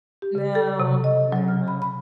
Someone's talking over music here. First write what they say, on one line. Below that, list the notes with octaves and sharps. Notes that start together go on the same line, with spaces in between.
No, no.
G4
C#3
A4
C3
D#5
F#3
F6
B5
B5